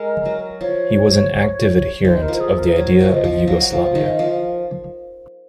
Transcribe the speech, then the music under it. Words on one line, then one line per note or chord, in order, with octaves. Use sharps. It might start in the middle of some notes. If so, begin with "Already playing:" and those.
He was an active adherent of the idea of Yugoslavia.
Already playing: G#3 A#4
F#3
F3 C#5
D#3 C5
A#4
F3
G#4
A#4
F#3 C#5
F3 F5
D#5
F3
F#3 F5
F#5
F3 F5
D#3
F3